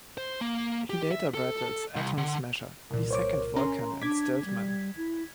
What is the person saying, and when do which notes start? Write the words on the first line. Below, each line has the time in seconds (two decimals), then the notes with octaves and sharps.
He later battles Atom-Smasher, the second Vulcan, and Stilt-Man.
0.18 C5
0.41 A#3
0.90 G4
1.11 E5
1.34 A4
1.96 C2
2.18 D3
2.91 C2 A#2 A#4
3.11 C5 C#5 D6
3.56 C#4 A#5 C6
4.02 D4 D6 G#6 B6
4.45 G3
4.97 E4